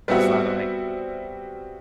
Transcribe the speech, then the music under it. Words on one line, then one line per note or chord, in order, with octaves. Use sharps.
there's a lotta like,
G3 B3 C4 F#4 E5 F#5